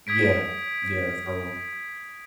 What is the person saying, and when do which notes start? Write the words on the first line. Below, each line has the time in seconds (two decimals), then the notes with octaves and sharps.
Yeah, yeah, so
0.07 D#6 G#6 B6 D7